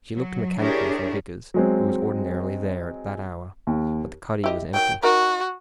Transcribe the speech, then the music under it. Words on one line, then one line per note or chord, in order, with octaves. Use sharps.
She looked mechanically for Vickers, who was ordinarily there at that hour, but the cuddy was empty.
F#3
D4 E4 G4 G#4 A#4 C#5
F#3 G#3 C4
D#2
E4 G4 D#5
D#3 F#3 G5
D#4 F#4 A#4